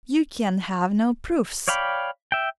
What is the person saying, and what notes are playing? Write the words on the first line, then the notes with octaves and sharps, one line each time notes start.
You can have no proofs.
C#5 D5 F5 G5 B5
E5 G5